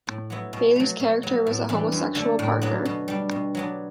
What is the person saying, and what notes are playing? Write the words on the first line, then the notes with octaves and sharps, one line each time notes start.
Bailey's character was a homosexual partner.
A2
F#3 B3 E4
B2
F#3 A3
B2
F#3 B3
A2
E3 G3 D4
F#2
D3 A3 D4
A2
F#3 B3 D4
B2
G3 D4
B2
F#3 B3 D4